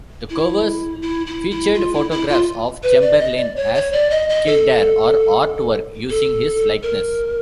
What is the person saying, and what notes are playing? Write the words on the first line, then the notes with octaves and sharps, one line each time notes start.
The covers featured photographs of Chamberlain as Kildare, or artwork using his likeness.
E4
E4
E4
E4
F4
E4
E4
F4
B4
D5
D#5
D5
C#5
C#5
D5
D#5
D#5
A4
A4
A#4